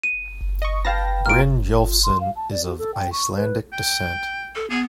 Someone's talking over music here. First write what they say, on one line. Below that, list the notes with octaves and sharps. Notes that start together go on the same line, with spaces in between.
Brynjolfsson is of Icelandic descent.
D#7
D#5 C#6
B4 F5 G5 A5 A#6
A#3 F4 F6 D7
F4
C6
F5
A5
D5
F#4
A4
G5
C#6
B4
G5
A4
B3 G#4